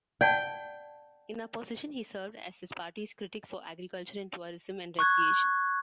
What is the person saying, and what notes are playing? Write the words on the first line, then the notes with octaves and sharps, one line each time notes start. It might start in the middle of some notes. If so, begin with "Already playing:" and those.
In opposition, he served as his party's critic for Agriculture and Tourism and Recreation.
D5 F#5 G5 A5
C#6 F#6 G#6